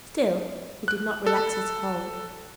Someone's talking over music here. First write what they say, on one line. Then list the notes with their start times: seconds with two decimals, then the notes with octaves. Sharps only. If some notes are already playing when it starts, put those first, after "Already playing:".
Still he did not relax his hold.
0.88 F#6
1.26 A4